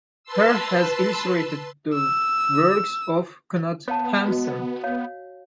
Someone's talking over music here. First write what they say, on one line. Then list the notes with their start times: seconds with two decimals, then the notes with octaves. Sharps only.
Harr has illustrated the works of Knut Hamsun.
0.24 B4 A5 C6 E6
1.94 E6
3.88 B3 C#5 F5 A5
4.28 F#4 D#5
4.83 C#5 F5